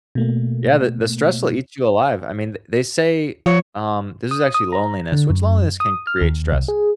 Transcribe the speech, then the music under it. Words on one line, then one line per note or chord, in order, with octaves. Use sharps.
Yeah, the the stress will eat you alive. I mean, th they say, um, this is actually loneliness, which loneliness can create stress.
B2 A3 A#3
F3 C#5
D#6
D#6
A#5
D3
F#2
D#6
F6
D#2
C2
G#4